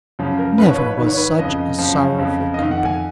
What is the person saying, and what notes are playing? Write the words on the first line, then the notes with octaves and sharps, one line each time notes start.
Never was such a sorrowful company.
F#2 C#3 F3
A#4
G#2 F3 B4
C#5
B4
C#5
G#2 D#3 B4
C#5
B4
F2 C#3 F3 D#5
F#2 C#3 F3
F2 C#3 F3
D#5
F2 D#3 F5
F#5
G#5